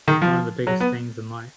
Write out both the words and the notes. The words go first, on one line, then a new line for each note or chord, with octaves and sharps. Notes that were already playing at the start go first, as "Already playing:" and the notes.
one of the biggest things in life.
D#3
F3
F#3
B3